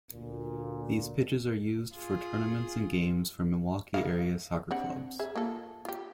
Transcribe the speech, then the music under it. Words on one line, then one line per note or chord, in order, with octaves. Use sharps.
These pitches are used for tournaments and games for Milwaukee area soccer clubs.
D2 A#2
F4 G#4
A#4 D#5 F5
C4 D4 F#5
G#4 E5
A#3 F4 A4
F4 G4